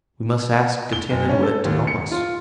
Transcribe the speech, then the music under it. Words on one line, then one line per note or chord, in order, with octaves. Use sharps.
"We must ask Getanittowit to help us."
G7
F#1
C#4
A4
D#2
C#7
F4